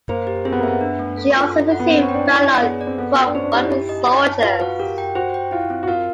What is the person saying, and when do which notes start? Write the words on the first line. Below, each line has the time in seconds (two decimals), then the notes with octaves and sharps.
She also received fan art from one of the soldiers.
0.09 A#3 C5
0.27 G4
0.45 C4 G#4
0.52 B3
0.60 A#3
0.63 B3 E5
0.81 D4
0.99 A3
1.17 A4
1.36 F4
1.53 A4
1.72 F#5
1.80 B3
1.90 C4 C5
2.02 C#4
2.09 G5
2.14 D4
2.26 E4
2.44 C#5
2.62 B3 G#4
2.81 D5
2.87 C4
2.98 B3 A4
3.16 F#4
3.26 D4
3.35 C#4 C5
3.44 D4
3.53 D#4 G4
3.62 E4
3.71 G4
3.89 D#5
4.08 C#5
4.25 A5
4.43 F4 B4
4.61 F#4 F5
4.79 G4 A#4
4.98 G5
5.15 F#4 C5
5.34 G5
5.51 E4 F4
5.70 C4
5.83 F#4
5.87 F4 A#4